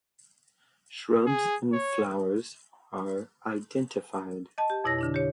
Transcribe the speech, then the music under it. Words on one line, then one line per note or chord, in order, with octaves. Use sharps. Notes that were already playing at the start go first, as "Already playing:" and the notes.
Shrubs and flowers are identified.
G#4
C#5
D#5 A5
G4
F2 B2 E4 C#5 A#6
D3 D4 E4
G4 C#5